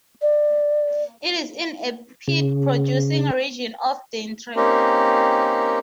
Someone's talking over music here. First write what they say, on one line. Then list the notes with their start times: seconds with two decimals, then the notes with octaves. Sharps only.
It is in a peat-producing region of Drenthe.
0.22 D5
2.28 C#3
4.56 A#3 C4 C#4 D#4 G4 A#4